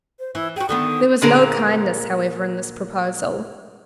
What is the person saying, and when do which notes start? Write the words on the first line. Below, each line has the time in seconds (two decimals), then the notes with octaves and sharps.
There was no kindness, however, in this proposal.
0.19 C5
0.35 E3 E4
0.56 F#4 G#4 G5
0.69 D3 D#3 B3 D#6
1.22 A#2 D3 A#3 G#4 A#4 A#5